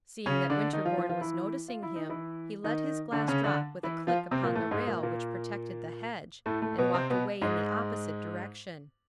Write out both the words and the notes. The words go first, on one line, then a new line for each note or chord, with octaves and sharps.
Seeing that Winterborne was noticing him, he let his glass drop with a click upon the rail which protected the hedge, and walked away in the opposite direction.
C#3 C#4
D3 D4
D#3 D#4
F3 F4
F3 F4
F3 F4
E3 E4
F4
E4
D#4
E3 E4
D#3 D#4
D3 D4
C#3 C#4
D3 D4
E3 E4
F3 F4
C3 C4
A#2 A#3
A2 A3
G#2 G#3
A#2 A#3
A#2 A#3
A2 A3
A2 A3
B2 B3
C3 C4
B2 B3
G#2 G#3